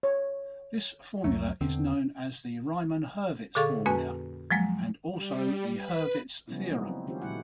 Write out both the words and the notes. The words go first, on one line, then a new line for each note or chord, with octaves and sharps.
This formula is known as the "Riemann-Hurwitz formula" and also as Hurwitz's theorem.
C#5
C2 F2 F#3 A3
E2 D3 C4
A#2 D3 G#4 A4 F5 C#6
F2 A#3 C#4 F#4 B4 G#5
F3 F#3 G#3 A#3
G3
B4
C#3 F3 G3 B3 C#4 E4
F#3 G#3 A#3 B3 D#4 E4
C4
D#3 C#4 F4 G4 C5
A#2 D#3 F#3 G#3 E4 F#5